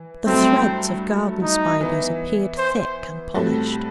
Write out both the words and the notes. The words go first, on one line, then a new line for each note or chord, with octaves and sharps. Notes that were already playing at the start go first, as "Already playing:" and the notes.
The threads of garden spiders appeared thick and polished.
Already playing: E3
G2 F#3 A3 C4 E4 A4
D#4
E3 B3 E4
C5
A2 G3 C4 F#4 A4